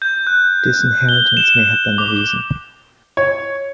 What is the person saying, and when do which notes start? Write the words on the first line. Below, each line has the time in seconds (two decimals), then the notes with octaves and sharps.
Disinheritance may have been the reason.
0.02 G6
0.27 F#6
1.09 G7
1.37 E7
1.98 D6
3.17 C#5